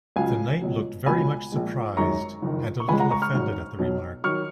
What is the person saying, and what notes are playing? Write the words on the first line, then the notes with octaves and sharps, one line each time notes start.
The Knight looked very much surprised, and a little offended at the remark.
C#2 C#3 F#3 F5 G#5
C#2 B2 F#3
C#2 B2 F#3 G#5 B5
A#1 A#2 G#3
G#1 F#2 D#3 G#3 A#5 C#6
F#1 F2 D#3
C#6
C#2 C#3 F3 G#3 G#5 B5
F#5 A#5
A#5 C#6
C#6 F6
G#1 G#2 F#3
B1 B2 F#3
D#3 F#3 C#6 F6